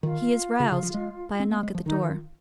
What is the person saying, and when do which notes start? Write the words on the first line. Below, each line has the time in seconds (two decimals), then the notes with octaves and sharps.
He is roused by a knock at the door.
0.03 D#3 F4
0.60 C#3
0.72 C#3
0.83 F3
0.94 G#3
1.40 C4
1.51 A#3
1.63 G#3
1.75 F3
1.86 D#3 D#4
2.02 F4